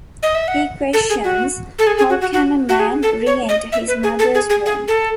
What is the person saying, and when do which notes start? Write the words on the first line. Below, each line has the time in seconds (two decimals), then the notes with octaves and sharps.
He questions: How can a man re-enter his mother's womb?
0.23 D#5
0.35 E5
0.48 F#5
0.93 A4
1.10 G#4
1.24 F#4
1.79 A4
1.87 G#4
1.98 G#4
2.10 F#4
2.21 F#4
2.33 F#4
2.69 F#4
2.80 G#4
3.03 A4
3.26 C#5
3.49 D#5
3.72 E5
3.88 B4
4.03 G#4
4.19 A4
4.35 G#4
4.50 G#4
4.66 G#4
4.88 A4